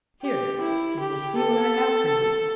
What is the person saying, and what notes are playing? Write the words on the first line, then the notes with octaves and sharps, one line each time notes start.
"Here you may see what I have for you."
G4
E4
G4
A4